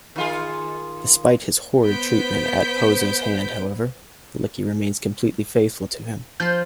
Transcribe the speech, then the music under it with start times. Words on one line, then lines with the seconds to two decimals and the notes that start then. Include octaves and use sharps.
Despite his horrid treatment at Pozzo's hand however, Lucky remains completely faithful to him.
0.16 D#3 F4 G#4
1.83 B3 C5 G6 B6 D7
6.40 F3 C6 G6